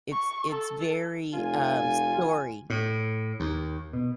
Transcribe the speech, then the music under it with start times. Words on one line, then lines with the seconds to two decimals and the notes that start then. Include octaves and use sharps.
It's it's very, um, story.
0.12 C#6
0.50 A4
1.33 F1 F4 G#5
2.70 A2
3.40 D#2
3.93 B2